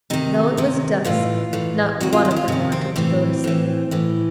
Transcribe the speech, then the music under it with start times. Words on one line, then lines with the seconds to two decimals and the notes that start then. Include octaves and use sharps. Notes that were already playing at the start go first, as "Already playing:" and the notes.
Though it was dusk, not one of them wanted to go to sleep.
0.10 C3 D#3 D#4
0.57 C3 D#3
1.05 A2 E3 F4
1.53 A2 E3
2.01 C3 D#3 F#4
2.13 F4
2.25 F#4
2.31 E4
2.36 F4
2.48 C3 D#3 C#4
2.72 C4
2.96 A2 E3 C4
3.44 A2 E3
3.91 A2 E3